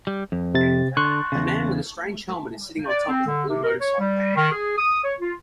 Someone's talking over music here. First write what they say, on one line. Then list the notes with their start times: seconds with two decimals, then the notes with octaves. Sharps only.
A man with a strange helmet is sitting on top of a blue motorcycle.
0.07 G3
0.32 F2
0.54 C3 A6
0.97 D3 C6 C#6 F#6
1.32 E2 C#3
2.89 D5
3.08 C4
3.26 D3
3.48 C3
3.64 A#4
3.81 C#5
4.00 G3
4.36 D#3
4.52 G#4
4.78 D#6
5.05 C#5
5.21 F4